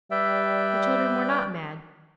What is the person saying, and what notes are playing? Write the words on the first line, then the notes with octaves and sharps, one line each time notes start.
The children were not mad.
G3 B4 D5 E5 G5